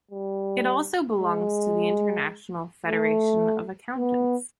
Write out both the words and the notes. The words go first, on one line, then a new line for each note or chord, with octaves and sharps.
It also belongs to the International Federation of Accountants.
G3
G#3
A3
B3